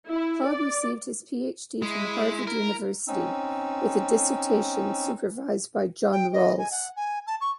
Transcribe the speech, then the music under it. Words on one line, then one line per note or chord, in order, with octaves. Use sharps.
Pogge received his Ph.D. from Harvard University with a dissertation supervised by John Rawls.
E4
D5
G#3 E4
A#4
C4 C#4 D#4 E6
G5
D#5
G#5
F#5
G#5
A5
C#6